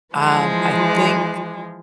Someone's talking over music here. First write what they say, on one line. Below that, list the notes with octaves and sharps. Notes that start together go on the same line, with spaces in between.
i um, I think
E3 F3 G#3